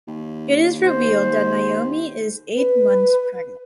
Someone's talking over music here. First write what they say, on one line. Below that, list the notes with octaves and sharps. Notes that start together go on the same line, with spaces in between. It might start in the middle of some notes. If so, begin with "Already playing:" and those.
It is revealed that Naomi is eight months pregnant.
D#2
C5
B4